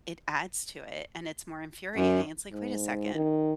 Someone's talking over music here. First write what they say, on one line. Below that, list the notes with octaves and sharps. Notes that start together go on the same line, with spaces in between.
it adds to it, and it's more infuriating. It's like, "Wait a second.
F#2
G#2
D#3